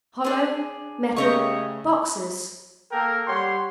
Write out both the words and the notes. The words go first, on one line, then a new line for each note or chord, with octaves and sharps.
Hollow metal--boxes!
D4 G#4
C#3 A3 G4 C#5 D#5 A#5 C#6
A#3 A4 A#4 G5
G3 G4 C#5 F#5 C6